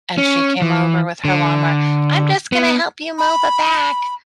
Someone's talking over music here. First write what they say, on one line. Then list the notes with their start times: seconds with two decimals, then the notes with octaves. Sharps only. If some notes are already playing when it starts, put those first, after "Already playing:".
and she came over with her lawnmower, "I'm just gonna help you mow the back."
0.18 C#4
0.62 E3
1.25 D3
2.52 B3
3.18 B5